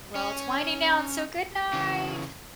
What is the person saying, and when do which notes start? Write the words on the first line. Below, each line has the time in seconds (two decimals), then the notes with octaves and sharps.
well, it's winding down, so good night.
0.15 C#4
1.73 C#3 E3